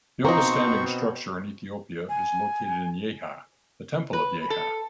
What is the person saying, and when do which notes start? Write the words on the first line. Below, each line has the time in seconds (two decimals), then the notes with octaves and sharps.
The oldest standing structure in Ethiopia is located in Yeha: the Temple of Yeha.
0.25 B2 A#3 C4 D#4 C5 C#6
2.09 G#5
4.13 B4
4.50 A4